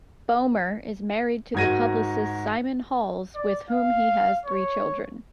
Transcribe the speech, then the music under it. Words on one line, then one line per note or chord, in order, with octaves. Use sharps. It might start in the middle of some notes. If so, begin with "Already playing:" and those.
Bomer is married to the publicist Simon Halls with whom he has three children.
G#2 D#3 F#4 G#6 A#6 D#7
D5
F5
C#5